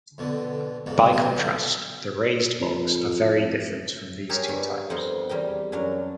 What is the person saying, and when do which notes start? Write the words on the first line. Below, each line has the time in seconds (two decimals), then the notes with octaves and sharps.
By contrast the raised bogs are very different from these two types.
0.18 F2 B2 D3
0.86 F2 G#2 C#3
1.11 C2 B2 E4 F4 G#5
1.36 B1 B2 D3
2.60 F2
4.29 G4 G#4 A#4 C#5 E5
4.48 G2
4.90 F2 B3 C4 A#4 F#5 C6
5.29 E2 G3 A#4 G5
5.72 F#2 F#3 D4 A#4